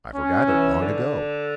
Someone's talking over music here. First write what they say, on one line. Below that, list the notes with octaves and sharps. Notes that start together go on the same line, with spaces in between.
"I forgot it long ago."
C#4
E3
D3